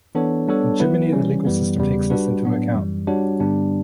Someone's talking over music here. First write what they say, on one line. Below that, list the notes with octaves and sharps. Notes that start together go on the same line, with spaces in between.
In Germany the legal system takes this into account.
E3 B3 D4 A4 C#5
G3 B3 D4 A4 C#5
F#3 B3 E4 B4
E3 G3 C#4
F#2 E3 G3 B3
E2 C#3 G3 B3
G3 D4 F#4 B4
A2 F#3 B3 D4
F#2 E3 G3
G3 D4 F#4 C#5
G2 D3 G3 B3 D4